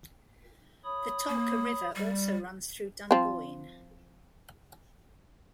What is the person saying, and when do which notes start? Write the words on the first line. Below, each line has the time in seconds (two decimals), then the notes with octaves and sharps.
The tolka river also runs through Dunboyne.
0.84 C#5 B5 D#6
1.29 A#3
1.96 G3
3.11 F3 C4